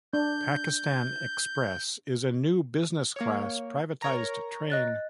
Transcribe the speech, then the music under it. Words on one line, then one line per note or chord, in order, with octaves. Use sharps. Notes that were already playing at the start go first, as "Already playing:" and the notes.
Pakistan Express is a new business class privatized train.
D4 G6
A#3 C#5
A#4 C#5 A#5
D#5 F#6 A6